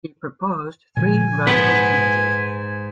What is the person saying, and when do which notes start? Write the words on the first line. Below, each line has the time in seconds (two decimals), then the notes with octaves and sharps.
He proposed three radical changes.
0.97 A#2 D3 F3 G#5
1.47 G#2 B4 F#5 B5